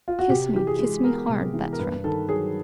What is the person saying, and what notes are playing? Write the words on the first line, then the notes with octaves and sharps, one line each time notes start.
Kiss me, kiss me hard, that's right.
F4
F#4
C3 G4
E3 G4
G#4
G#3
B3 A#4
C3
E3
A#4
G2 B4
D#3 A4
F#3 G#4